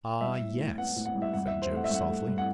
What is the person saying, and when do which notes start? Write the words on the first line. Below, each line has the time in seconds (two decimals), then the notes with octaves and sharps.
"Ah, yes," said Joe, softly.
0.21 G3 E5
0.40 A2
0.59 A2
0.78 B3 F#5
0.96 A2
1.06 F#5
1.15 G3
1.22 E5
1.33 G2 F#5
1.47 E5
1.52 E3
1.62 C5
1.71 A3
1.76 F#5
1.84 E5
1.90 G2 F#5
2.09 A3
2.27 G2
2.38 F#5